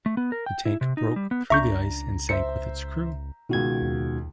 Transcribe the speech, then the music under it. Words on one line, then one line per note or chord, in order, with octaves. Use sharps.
The tank broke through the ice and sank with its crew.
A3
B3
A#4
G5
E4
C3
D#4
G3
B3
C#2 D4 E5 A#5 C#6 G6
C5 E5 C#7
C#2 B2 D#3 F#4 G#6
D#2